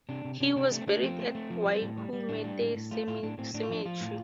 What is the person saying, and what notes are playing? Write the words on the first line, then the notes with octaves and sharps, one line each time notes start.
He was buried at Waikumete Cemetery.
C3 D4
C3
C3 D4
C3 D4
A3 D4
C4
A3 D4
F3 C4
A3
A3
F3
G3
A2
G3
G3
A2 D4
G3
A2
A2
A3 F4
A2 F4
A2 D4
A2 C4
A2 D4
F4
F3 D4
F3 F4
A2